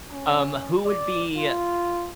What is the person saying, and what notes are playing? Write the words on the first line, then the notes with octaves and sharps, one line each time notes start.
Um, who would be
C#4
D5
F4